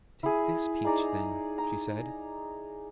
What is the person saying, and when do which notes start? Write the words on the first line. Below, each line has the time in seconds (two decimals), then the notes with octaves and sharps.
"Take this peach, then," she said.
0.23 E4 G#4
0.84 D#4 G#4 D5 A#5
1.58 A#5